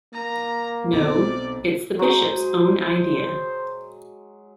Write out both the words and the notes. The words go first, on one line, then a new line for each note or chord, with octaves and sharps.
No, it's the Bishop's own idea.
A#3 A#5
B1 C4 D5
F#3 G#3 F#4 C5